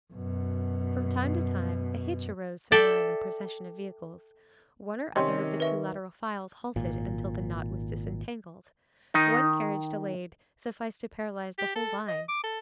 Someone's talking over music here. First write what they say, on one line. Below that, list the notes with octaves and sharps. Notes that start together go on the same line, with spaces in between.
From time to time, a hitch arose somewhere in the procession of vehicles; one or other of the two lateral files halted until the knot was disentangled; one carriage delayed sufficed to paralyze the whole line.
F#2 B2
A4 D5 E5 G5
C3 D#3 C#4 D#5 G5 C6
B4 E5 C#6
G#1 A#2
D#3 D#4
G4
A4
D#5
D6
A4